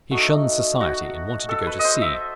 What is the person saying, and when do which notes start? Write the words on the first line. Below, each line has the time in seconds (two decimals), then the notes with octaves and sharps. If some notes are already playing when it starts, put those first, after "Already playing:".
He shunned society and wanted to go to sea.
0.11 A3 D#4 F#4
0.81 F#4
1.49 A4
1.67 B4
1.79 D#5
1.84 C5
2.01 E5